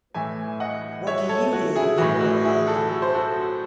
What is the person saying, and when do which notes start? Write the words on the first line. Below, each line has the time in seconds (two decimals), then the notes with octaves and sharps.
What do you do in real life?
0.14 A2 E3 E5 G#5
0.60 D#5 F#5
1.07 C#5 E5
1.29 A4 C#5
1.53 F#4
1.75 E4 G#4
1.98 A2 E3 F#4
2.21 F#4
2.44 E4 G#4
2.67 F#4 A4
2.89 A4
3.02 C5
3.15 F#4 A4